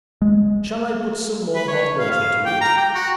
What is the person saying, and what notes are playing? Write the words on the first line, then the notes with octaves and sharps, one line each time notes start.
Shall I put some more hot water to it?
G#3
B4
C#5
F5
F5
G5
A#5
G5
F#4